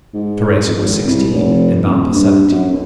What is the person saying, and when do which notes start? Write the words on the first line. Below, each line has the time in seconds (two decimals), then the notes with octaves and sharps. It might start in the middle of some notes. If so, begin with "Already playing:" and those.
Teresa was sixteen, and Vampa seventeen.
0.13 G#2
0.67 F2
0.81 G#1
1.07 C2
1.33 F1
1.84 D#1
2.13 G2
2.50 F#2
2.71 B1